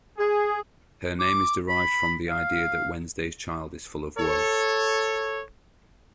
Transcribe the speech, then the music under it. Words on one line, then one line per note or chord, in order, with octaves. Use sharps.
Her name is derived from the idea that Wednesday's child is full of woe.
G#4
D6
B5
F5
A4 C#5